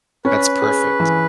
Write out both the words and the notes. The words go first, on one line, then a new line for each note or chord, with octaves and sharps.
That's perfect.
C#4 B4
G#4
E3